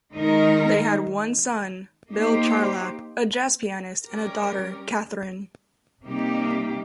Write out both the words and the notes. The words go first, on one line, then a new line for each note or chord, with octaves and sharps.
They had one son, Bill Charlap, a jazz pianist, and a daughter, Katherine.
D#3 G#3 D#4 A#4
A#3 D#4 G4 C5
G3 C#4 G4 A#4
C3 G3 A#3 D#4 G4